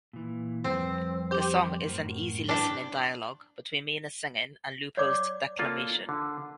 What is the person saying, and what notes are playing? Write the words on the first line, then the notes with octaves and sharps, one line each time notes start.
The song is an easy listening dialogue between Mina's singing and Lupo's declamation.
A#2 E3
F2 G3 C4 B4
G4 C5
F#2 A2 A#4
D4 E4 B4 D5 G5
C#5 D5 D6
A#3 F4 A4
D3